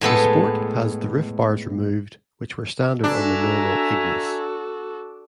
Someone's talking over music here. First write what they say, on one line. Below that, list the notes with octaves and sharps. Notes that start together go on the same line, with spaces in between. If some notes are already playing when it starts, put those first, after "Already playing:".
The Sport has the roof bars removed which were standard on the normal Ignis.
A2 G#3 B3 A4
D4 F#4 A4 E5 G#5 A#5